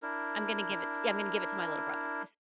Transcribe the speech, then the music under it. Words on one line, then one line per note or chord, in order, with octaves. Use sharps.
I'm gonna give it t yeah, I'm gonna give it to my little brother. His
D4 E4 A#4